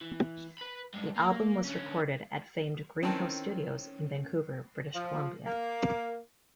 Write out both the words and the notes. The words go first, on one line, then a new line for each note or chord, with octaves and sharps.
The album was recorded at famed Greenhouse Studios in Vancouver, British Columbia.
E3
B4 B5
G2 G#3
A#3
D3 C#4
D#3 E3 C4 C#4 A5
F3
A#3